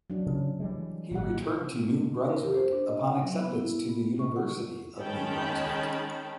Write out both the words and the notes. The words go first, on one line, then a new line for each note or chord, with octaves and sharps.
He returned to New Brunswick upon acceptance to the University of New Brunswick.
F#3 D4
C#3
E3 G3 G#3
G#1 A#2 G#3 F#5
A#4
G4
C5
D4
D#5
F#5
F#3
B3
E4
B3
C#6
F#5
D#3 G#3 C#4 G5 A5 B5